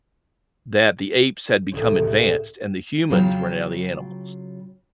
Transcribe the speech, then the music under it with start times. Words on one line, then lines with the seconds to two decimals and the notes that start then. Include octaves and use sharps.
that the apes had become advanced and the humans were now the animals,
1.72 D#1 C2 A2 C#4 C5
1.99 C#2 A2
3.10 C#3 F#3 F4 G5 A#5